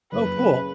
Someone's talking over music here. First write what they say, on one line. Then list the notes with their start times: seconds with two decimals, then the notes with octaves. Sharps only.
Oh, cool.
0.11 F#1 B4
0.37 C#3